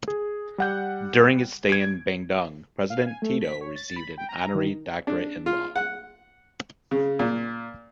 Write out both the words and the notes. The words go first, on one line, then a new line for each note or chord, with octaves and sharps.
During his stay in Bandung president Tito received an honorary doctorate in law.
G#4
G3 F#5 G6
G#6 D7
F5
G#5
A3
B6
C#5
A6
B5
G5
A#5
D#3
D4
F4
F#5
C#3
A#2